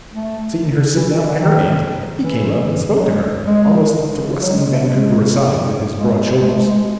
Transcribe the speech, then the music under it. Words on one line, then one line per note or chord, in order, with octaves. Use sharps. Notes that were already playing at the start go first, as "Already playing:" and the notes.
Seeing her sit down by her aunt, he came up and spoke to her, almost thrusting Vancouver aside with his broad shoulders.
A3
E3
D#3
E3
F#3
G#3
G#3
F#3
G#3
A3
G#3
G#3
G#3
A3
G#3